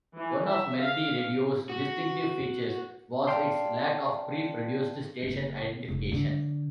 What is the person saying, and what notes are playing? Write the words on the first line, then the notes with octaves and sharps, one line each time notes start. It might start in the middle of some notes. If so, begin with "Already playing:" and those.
One of Melody Radio's distinctive features was its lack of pre-produced station identification.
E3
E5
F5
F#4
D5 F5 G5 A5 C6
F#1
F1
D3